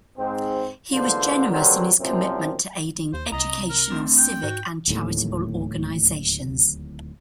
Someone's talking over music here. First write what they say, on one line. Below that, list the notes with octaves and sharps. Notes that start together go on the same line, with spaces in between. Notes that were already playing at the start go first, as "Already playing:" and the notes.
He was generous in his commitment to aiding educational, civic and charitable organizations.
G#2 C4
A1 G#2 D3 B3 F4 C5
G2 D3 F#3 C4 A#4
C2 F#2 A#2 F3 C4
D#2 C5
C2 C3 D#5 A#5
A#4
A3 C4 D4
G5
G#2 F#4
D1 D#2 A2